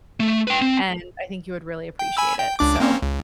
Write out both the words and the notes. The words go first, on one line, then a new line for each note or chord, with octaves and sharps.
and I think you would really appreciate it. So,
A3
B4 G5
C4
G5
G#5 B5 E6
G5
C#2 D4 D6
A#3 C4 C#4
C#2